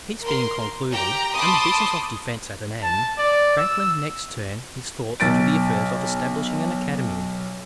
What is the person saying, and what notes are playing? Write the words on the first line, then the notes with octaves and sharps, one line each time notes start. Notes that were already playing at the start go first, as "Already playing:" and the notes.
Peace being concluded, and the business of defence at an end, Franklin next turned his thoughts to the affair of establishing an academy.
A#4 C6
G4 G5 A#5
A5 B5 C6 D6 D#6
A5
D5
E6
B1 A6 D7